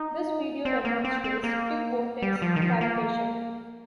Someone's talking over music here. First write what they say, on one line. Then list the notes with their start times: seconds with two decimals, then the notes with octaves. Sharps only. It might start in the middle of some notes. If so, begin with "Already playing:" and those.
This video demonstrates tip vortex cavitation.
Already playing: D#4
0.65 C4
0.85 A#3
1.04 C4
1.24 C4
1.44 A#3
2.22 G3
2.42 F3
2.56 D#3
2.62 F3
2.81 A#3